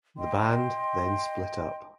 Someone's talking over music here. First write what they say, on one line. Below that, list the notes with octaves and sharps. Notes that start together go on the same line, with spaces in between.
The band then split up.
D#5 G5 C6